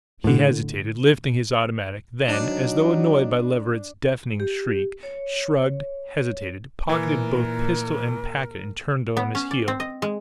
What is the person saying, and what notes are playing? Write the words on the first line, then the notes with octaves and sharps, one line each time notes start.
He hesitated, lifted his automatic, then, as though annoyed by Leverett's deafening shriek, shrugged, hesitated, pocketed both pistol and packet, and turned on his heel.
A2 D3
F#3 D4 D#4
G4
C#5
A#2 E3 A#4
B3
C#4
D5
C4
D#5
G#3